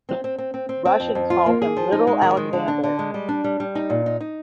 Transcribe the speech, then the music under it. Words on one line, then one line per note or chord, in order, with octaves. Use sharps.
Russians called him Little Alexander.
C4
C4
C4
C4
C4
C4
F2
F2
F4
A#3
G#4
F3
D#4
G#3
D#3
G#3
D3
D4
D3
G#3
G3
D4
G3
G3
D#4
A#2
D#4
D#4